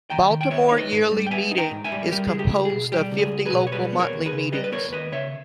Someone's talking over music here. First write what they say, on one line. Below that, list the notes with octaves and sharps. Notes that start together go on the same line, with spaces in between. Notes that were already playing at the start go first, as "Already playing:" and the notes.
Baltimore Yearly Meeting is composed of fifty local Monthly Meetings.
D#2 G5 A#5
D#3
G5
B3 C#5 E5
D#4 C#5
B4 D#5
G#2
G3
G5
B3 E5 G#5
D#4
G5 A#5
G#2
E5 G#5
G3
G3 G4 A#4
C#2 G#4
G4
C#2
G#4
B2
G3 G4
C#2
G#4
C#2
G#4 B4
B2
C#5
G3 G#4 B4
B3
A#4 C#5
D#2
G#4 B4
C#3
G3 B4 D#5
B4
B3 A#4 C#5
D#2 B4 D#5
C#3 C#5 E5